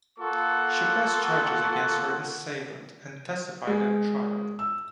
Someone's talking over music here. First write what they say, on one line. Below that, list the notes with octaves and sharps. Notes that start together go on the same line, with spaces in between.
She pressed charges against her assailant and testified at trial.
A#3 F4 A4 F#5 C#6
G#3
E6